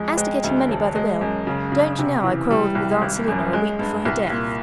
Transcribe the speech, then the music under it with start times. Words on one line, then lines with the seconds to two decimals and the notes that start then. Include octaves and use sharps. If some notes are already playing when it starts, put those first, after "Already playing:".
As to getting money by the will, don't you know I quarrelled with Aunt Selina a week before her death.
Already playing: F2 G#3
0.17 G#3
0.44 D2
0.69 E1
0.96 G#3
1.21 F#2
1.47 C#3
1.72 C#3
1.99 C3
2.24 E3
2.51 G3
2.75 C2
3.02 G#1
3.28 F#2
3.53 G#3
3.79 G2
4.05 C2
4.31 A#2